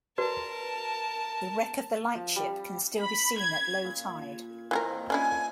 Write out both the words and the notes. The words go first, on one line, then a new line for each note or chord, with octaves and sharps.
The wreck of the lightship can still be seen at low tide.
F#4 A#4 B4 D5 A5
F3
G3
B5
G#6
A#2
A#2 D#3 E3 C4 G#4 A#4
C#4 D4 E4 G#5